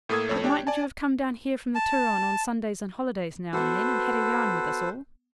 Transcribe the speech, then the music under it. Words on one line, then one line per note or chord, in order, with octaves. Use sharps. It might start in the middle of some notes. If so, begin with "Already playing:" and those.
But mightn't you have come down here from the Turon on Sundays and holidays now and then, and had a yarn with us all?'
A2 A3 A#3 A4 D#6 G#6
F2 A3 C#5
D4 G4 C#5 G5
D5 G#5 A5
A5
B3 F#4 A4 B4 C5